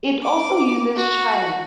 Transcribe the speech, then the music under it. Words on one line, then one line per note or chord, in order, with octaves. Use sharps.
It also uses chimes.
D6
F#4